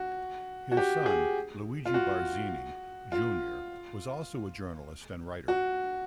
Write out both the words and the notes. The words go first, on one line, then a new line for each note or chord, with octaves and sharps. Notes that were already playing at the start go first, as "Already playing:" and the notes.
His son Luigi Barzini, Junior was also a journalist and writer.
Already playing: F#4
F#4
G4
G#4
F4
F#4
F4
F#4